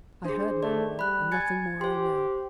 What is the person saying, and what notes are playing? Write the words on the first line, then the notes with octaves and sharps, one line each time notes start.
I heard no more, and nothing more I know.
D4 G#4 C5
A3 D5
G3 B5 F#6
G#5 G#6 A6 C#7
G4 C5 C6